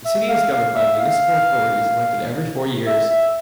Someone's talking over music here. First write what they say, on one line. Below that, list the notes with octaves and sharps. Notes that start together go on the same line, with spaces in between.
The city is governed by municipal authorities elected every four years.
E5
F5
F5
E5
F5
E5
E5